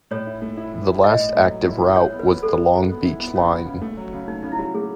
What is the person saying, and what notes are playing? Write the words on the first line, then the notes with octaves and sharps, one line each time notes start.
The last active route was the Long Beach line.
A2 C#5
E4
A3
E4
A2
E4
E4 D#5
A2
A3
F#3
E4
E4
G#3 C#5
B3
B4
B3
G#3 A4
G#3
G#3
B3
E4
B3
B3 C#4
B3
C#3
A3
F#3
C#3
A3 D#4
C#3 D#4
E4
F#3 F#4
A3 G#4